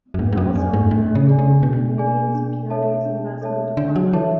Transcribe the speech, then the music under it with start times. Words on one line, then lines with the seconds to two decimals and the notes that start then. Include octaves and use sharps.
He also later obtained a Canadian Securities Investment Diploma.
0.14 F#2
0.19 G#2 D4
0.32 G#2
0.37 F#2
0.55 F#2 G#4 D5 G#5
0.73 G#2
0.91 A2 D4
1.15 C#3
1.27 G#4 D5 G#5
1.39 C#3
1.63 B2 D4
1.98 G#4 D5 G#5
2.34 D4
2.70 A4 C#5 E5 A5
3.05 D4
3.42 A4 C#5 E5 A5
3.77 D3 D4
3.96 F#3
4.13 E3 A4 C#5 E5 A5